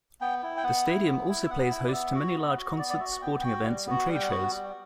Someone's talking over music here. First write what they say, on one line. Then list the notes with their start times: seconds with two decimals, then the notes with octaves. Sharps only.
The stadium also plays host to many large concerts, sporting events, and trade shows.
0.21 B3 G5
0.43 E4
0.57 G5
0.63 B3 F#5
0.86 E4
1.06 B3
1.29 E4
1.44 E5
1.50 B3 F#5
1.71 E4
1.88 D5
1.92 B3 E5
2.15 F#4
2.36 B3
2.57 F#4
2.79 B3 D5
2.90 D5
3.00 F#4 E5
3.12 F#5
3.22 B3 G5
3.41 F#4 G5
3.65 G3
3.86 B3 F#4
4.08 G3 F#5
4.15 G5
4.22 F#5
4.29 B3 F#4
4.50 G3